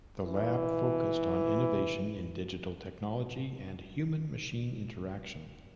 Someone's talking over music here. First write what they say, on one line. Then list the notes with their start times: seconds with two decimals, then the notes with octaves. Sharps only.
The lab focused on innovation in digital technology and human-machine interaction.
0.23 E3